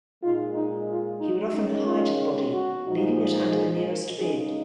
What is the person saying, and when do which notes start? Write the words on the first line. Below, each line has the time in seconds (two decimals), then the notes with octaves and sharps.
He would often hide the body, leaving it under the nearest bed.
0.22 A#2 G#3 D#4 F4
0.55 D#4
0.88 F4
1.20 D#4
1.54 D#3 G#3 C#4 D#4
1.87 F4
2.53 F#4
2.86 A#2 F3 G#3 D#4
3.52 G#4
3.85 A#4
4.18 C#3 G#3 D#4 G#4